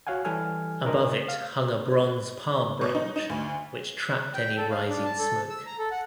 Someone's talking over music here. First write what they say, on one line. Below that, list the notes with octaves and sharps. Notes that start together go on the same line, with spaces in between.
Above it hung a bronze palm branch which trapped any rising smoke.
F#4 C#5 F5 F#5 G#5
E3 G3 A4 G#5 F6
D4 A#4 C5 D#5
F5
B2
D#4
D#4
D2
G5
A4
F5
D4
A5
A4
E6
A#5
A4
F#5